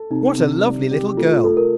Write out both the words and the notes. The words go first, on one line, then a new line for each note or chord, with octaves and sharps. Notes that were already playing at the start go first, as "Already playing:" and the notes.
'What a lovely little girl!
Already playing: A4
C3 D#4
C3
G3
G4
A3 F4
F4
A3 A4
A#4